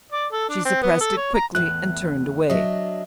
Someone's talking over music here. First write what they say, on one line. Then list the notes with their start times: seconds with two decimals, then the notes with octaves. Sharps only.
She suppressed it quickly and turned away.
0.12 D5
0.32 A4
0.49 D4
0.65 C4
0.82 B3
1.00 A4
1.17 C#5
1.35 A#5
1.55 E2 A2 F#6
2.50 F#3 D4 D#5 E5